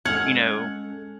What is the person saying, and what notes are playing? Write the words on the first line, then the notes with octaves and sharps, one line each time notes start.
you know
G#3 C#4 A4 F#5 F6 G#6